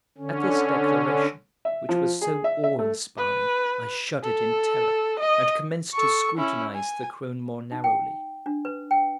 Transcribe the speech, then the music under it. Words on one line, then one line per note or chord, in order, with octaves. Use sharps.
At this declaration, which was so awe-inspiring, I shuddered in terror, and commenced to scrutinize the crone more narrowly.
D3 C#4
E5
F3
G#4
E5
E5
A3
B4
A4
D#5
A4 C#6
C#4 E4
G#5
D#4
G5
D4
B4
G5